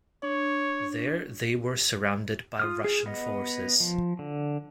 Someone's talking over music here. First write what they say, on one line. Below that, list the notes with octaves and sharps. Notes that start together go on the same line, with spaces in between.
There they were surrounded by Russian forces.
D4 C#5
F4 D#6 F6
G#4
B3 D#5
F3
D3